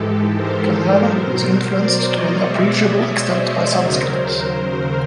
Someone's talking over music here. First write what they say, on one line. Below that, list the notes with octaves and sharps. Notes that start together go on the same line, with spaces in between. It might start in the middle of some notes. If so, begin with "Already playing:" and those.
Kannada is influenced to an appreciable extent by Sanskrit.
Already playing: G#2 E3 G#3 G4 A4
A#4 C5
A#4 C5
B2 F#3
C5 D5
C#5 D#5
B2 G#3 D5 E5
C#5 D#5
C5 D5
C5 D5
D#2 C#3 F#3 A#4 C5